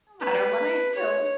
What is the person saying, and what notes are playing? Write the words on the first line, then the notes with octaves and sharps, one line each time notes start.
no matter what I do,”
B4
C#5